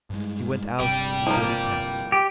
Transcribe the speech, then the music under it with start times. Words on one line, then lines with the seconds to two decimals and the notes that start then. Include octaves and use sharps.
She went out, with dirty caps.
0.10 G2 G#3
0.79 G1 C3 D5 G5
1.27 F3 A#3
2.12 G4